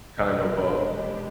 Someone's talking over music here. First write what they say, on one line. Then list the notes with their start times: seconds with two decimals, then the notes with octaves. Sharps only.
kind of, uh,
0.17 E1 A#2 G#3 D4 G4 D#5